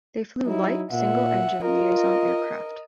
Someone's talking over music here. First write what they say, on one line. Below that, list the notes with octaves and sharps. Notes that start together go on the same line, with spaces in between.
They flew light single engine liaison aircraft.
F#3 D#4 E4
A#2 E5 F#5
F4 A#4 D#5